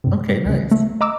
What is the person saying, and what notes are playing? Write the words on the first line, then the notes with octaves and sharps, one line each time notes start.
Okay. Nice.
G2 C3
G3
D2 C#3
A3
D#5 A#5 D6 E6